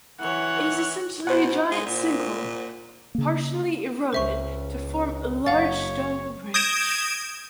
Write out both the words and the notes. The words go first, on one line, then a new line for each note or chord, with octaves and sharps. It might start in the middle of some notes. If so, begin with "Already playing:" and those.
It is essentially a giant sinkhole partially eroded to form a large stone bridge.
E3 C#5 F#5
B2 C5 F#5
G#3
A#2
C#3 A#3
C#2 C5 E5 C#6
F#1 C#5 F5 F#5 A6
D#6 G6 G#6 A#6 D7 E7